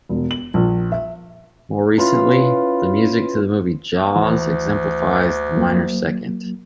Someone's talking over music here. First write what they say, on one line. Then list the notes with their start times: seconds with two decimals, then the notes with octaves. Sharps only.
More recently, the music to the movie "Jaws" exemplifies the minor second.
0.09 E1
0.31 F#7
0.54 A#1
0.92 E5
1.98 E3 C#4 F4 B4
4.16 D2 E3
5.56 F#3 A#3